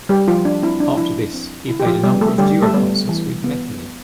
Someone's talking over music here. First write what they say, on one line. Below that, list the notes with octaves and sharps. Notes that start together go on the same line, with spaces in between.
After this, he played a number of duo concerts with Metheny.
G3 G4
F3 F4
D4
C4 E4
D4
F3 E4
C4
D3 E4
G4
F3 F4
G3 B3 G4
A3 A4
D3 G3 G4
A3 A4
G3 B3
E3
B3